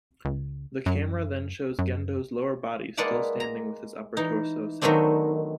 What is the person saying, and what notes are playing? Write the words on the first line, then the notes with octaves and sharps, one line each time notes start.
The camera then shows Gendo's lower body still standing with his upper torso severed.
C#2
F#2
F#2
G#3 A#3 B4 D5 F#5 A5
A#5
E3 D#4
D#3 F#3 A3 B3 C4 D4